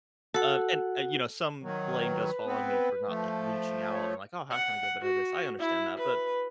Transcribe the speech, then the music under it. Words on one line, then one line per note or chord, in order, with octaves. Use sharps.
Um, and, uh, you know, some blame does fall on me for not, like, reaching out and, like, "Oh, how can I get better at this?" I understand that, but
F#4 A4 F#5
D#3 F#3
B4
B3 C4
F3 A3
C#5
F#5
F#4
E4
B4